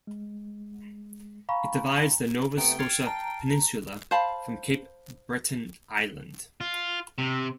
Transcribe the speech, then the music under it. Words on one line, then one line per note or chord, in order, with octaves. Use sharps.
It divides the Nova Scotia peninsula from Cape Breton Island.
G#3
F5 G#5 A#5 B5 C#6
C3 A3 B3 G5 A#5 C#7
F6 G#6 A6 C7 C#7 F7
A5 A#5
C5 F5 A5 B5
F4
C3